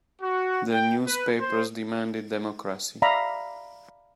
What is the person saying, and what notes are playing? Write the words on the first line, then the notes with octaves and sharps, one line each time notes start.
The newspapers demanded democracy.
F#4
G5
B4
C5
D5 E5 F5 A#5 B5